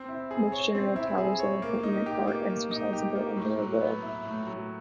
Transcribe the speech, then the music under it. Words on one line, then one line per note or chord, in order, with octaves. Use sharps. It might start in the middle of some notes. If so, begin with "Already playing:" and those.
Most general powers of appointment are exercisable under a will.
Already playing: C4
E4
G#4
C#5
C4
E4
G#4
C#5
A#3
D#4
G4
A#3
A#3
D#4
G4
A#3
A2
F#3
B3
E4
A2
F#3